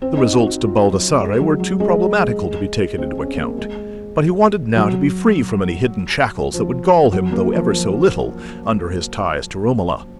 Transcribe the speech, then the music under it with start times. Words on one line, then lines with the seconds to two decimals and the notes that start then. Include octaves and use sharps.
The results to Baldassarre were too problematical to be taken into account. But he wanted now to be free from any hidden shackles that would gall him, though ever so little, under his ties to Romola.
0.02 C4
0.17 D#4
0.33 F#4
0.46 F#4
0.62 F4
0.91 F#3
1.21 G#3
1.40 F#3
1.60 F#3
1.80 G#3
2.98 C4
3.18 C#4
3.38 A#3
3.58 G#3
4.76 F#3
6.54 F3
7.12 F#3
7.32 A#3
7.53 F3
7.72 F3